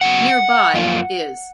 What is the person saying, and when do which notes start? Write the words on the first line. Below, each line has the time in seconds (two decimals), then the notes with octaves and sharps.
Nearby is.
0.01 C#3 F#3 B3 F#5
0.74 F#2 F3 A#3 F4